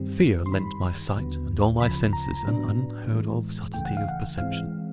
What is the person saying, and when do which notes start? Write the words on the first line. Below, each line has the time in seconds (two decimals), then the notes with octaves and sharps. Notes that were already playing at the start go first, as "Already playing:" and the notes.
Fear lent my sight, and all my senses, an unheard-of subtlety of perception.
Already playing: G2 D#3 G3 C4
0.46 C6
0.52 F#2 D#3 G3 B5
1.16 D#2 D3 F#3 B3
1.80 D2 C#3 F3 B5
2.13 A#5
2.45 A2 F#3 B3 D4
3.10 A2 E3 G#3
3.74 C#2 C#3 E3 A3 G5
3.85 F#5
3.97 F5
4.08 F#5
4.38 G#2 E3 G#3 C4 F5